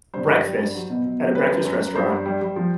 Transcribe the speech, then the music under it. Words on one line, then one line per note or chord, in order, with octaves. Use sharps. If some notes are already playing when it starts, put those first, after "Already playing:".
breakfast at a breakfast restaurant,
G2 C5
G2
G3
G2
F#3
B2
B2
F#3
G3 B4
F#2
F#2
F#2
G2 C5
G2
G3
G3
F3